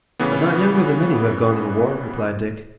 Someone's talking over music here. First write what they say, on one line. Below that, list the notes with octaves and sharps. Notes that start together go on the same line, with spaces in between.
"But not younger than many who have gone to the war," replied Dick.
A2 C#3 E3 B3